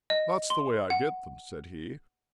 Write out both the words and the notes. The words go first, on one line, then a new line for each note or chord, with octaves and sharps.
"That's the way I get them," said he.
D#5
C6
F#5